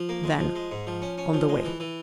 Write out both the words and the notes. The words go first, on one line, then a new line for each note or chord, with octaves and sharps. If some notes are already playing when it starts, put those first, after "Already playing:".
Then, on the way.
Already playing: F3
A#3
G#3
F3
G#3
G#2
F3
C#4
C#4
F3
G#3
E3
E3